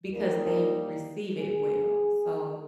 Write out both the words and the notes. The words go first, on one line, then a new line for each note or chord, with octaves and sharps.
because they receive it well. So,
D#2 G3 A#3 D#4 A#4
G#4